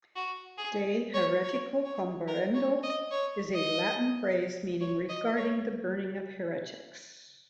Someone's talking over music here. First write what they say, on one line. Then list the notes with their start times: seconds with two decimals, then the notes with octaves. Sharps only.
"De heretico comburendo" is a Latin phrase meaning "Regarding the burning of heretics".
0.16 F#4
0.58 G#4
1.14 C#5
1.43 C#5
1.85 C#5
2.28 A#4
2.55 C#5
2.83 D#5
3.11 C#5
3.54 D#5
4.81 C#5
5.09 D#5
5.37 C#5